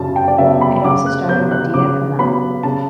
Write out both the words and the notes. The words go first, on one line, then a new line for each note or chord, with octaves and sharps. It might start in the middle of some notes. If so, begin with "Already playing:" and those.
It also starred Madiha Kamel.
Already playing: F#2 C#3 F#3 A5
G5
D5
C#3 F#3 B3 E5
B5
C#3 D6
F#6
F#3 B3 G6
F#6
C#3 D6
F#3 B3 B5
C#3 A5